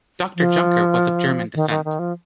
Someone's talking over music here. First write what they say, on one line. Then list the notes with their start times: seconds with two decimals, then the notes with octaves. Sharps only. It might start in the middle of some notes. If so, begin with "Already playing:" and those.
Doctor Junker was of German descent.
0.36 F3
1.55 D#3
1.70 D#3
1.85 D#3
1.99 F3